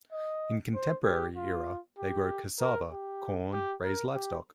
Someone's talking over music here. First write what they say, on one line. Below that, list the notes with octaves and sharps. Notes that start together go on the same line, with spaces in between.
In contemporary era, they grow cassava, corn, raise livestock.
D#5
C5
G4
F4
G4
A#4
G4
G4
A#4
G4